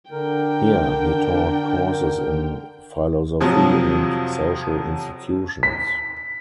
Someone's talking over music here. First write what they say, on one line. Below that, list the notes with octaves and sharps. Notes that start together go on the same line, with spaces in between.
Here he taught courses in Philosophy and Social Institutions.
D3 D4 A#4 G5
F2 C3 F3 F#3
B6